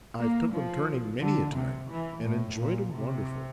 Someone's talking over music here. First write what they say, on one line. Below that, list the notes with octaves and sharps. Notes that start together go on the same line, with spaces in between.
I've took 'em turning many a time, and enjoyed 'em wonderful!'
A#3
F3
D3
C3
E3
A2
A#2
C3